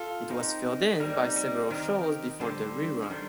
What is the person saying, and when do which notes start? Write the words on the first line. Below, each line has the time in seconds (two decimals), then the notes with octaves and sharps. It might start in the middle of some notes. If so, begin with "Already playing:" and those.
It was filled in by several shows before the rerun.
Already playing: F4 A4
0.30 C4 D#4 G4 A#4
1.00 G3 A#3 C4 D#4 G4 A#4
1.36 G3
1.70 D#3 C4 D#4 G4 A#4
2.40 D3 G3 D4 A4 C5
3.02 F3
3.10 D#3 G3 D4 A4 C5